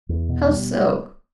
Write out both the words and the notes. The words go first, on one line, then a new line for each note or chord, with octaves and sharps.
"How so?"
E2
B2
G3